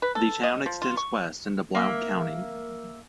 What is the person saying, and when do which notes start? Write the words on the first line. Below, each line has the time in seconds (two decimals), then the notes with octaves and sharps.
The town extends west into Blount County.
0.02 B4
0.15 A4
0.43 D#5
0.66 F3
0.82 F4
0.97 C#6
1.75 A#3 E5